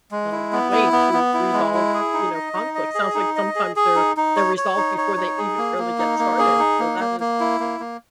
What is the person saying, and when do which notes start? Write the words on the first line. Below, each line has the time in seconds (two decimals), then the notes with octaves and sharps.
um, way to resolve, you know, conflict. Sounds like sometimes they're they're resolved before they even really get started, so that is awesome.
0.11 G#3
0.32 E4
0.53 B3
0.72 E4
0.92 B3
1.14 B3
1.34 E4
1.53 G#3
1.74 E4
1.94 G#4
2.14 D#4
2.34 D#5
2.54 D#4
2.75 D#5
2.95 G#4
3.15 D#4
3.36 D#5
3.56 G#4
3.76 G#4
3.96 D#4
4.17 D#4
4.36 C#5
4.57 C#5
4.77 D#4
4.98 C#5
5.17 D#4
5.38 G#4
5.58 A#3
5.78 A#3
5.98 D#4
6.19 A#3
6.39 G#4
6.59 D#4
6.79 A#3
7.00 A#3
7.20 A#3
7.40 E4
7.60 A#3
7.80 A#3